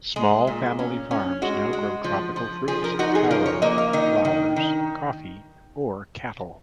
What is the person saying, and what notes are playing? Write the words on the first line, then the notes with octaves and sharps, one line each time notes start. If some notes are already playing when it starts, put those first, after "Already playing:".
Small family farms now grow tropical fruits, taro, flowers, coffee, or cattle.
G#3 G#4
A#2
C#4
C#4
G#3 F#4
G#3
F3
F3
F3 G#4
A#4
D#4 F#4
G#4
F3 A#4
C#5
A#3 D#5
F5
D#3 D#5
D#3
D#3